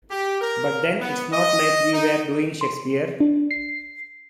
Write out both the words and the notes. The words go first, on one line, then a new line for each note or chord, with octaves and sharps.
But then it's not like we were doing Shakespeare.
G4
A#4
B3
D#5
D#4
C6
D4
C7